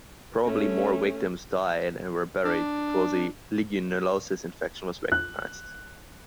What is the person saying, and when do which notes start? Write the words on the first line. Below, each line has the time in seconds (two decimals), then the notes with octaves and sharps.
Probably more victims died and were buried before the legionellosis infection was recognized.
0.45 A3 C#4
2.45 D4
5.12 F#6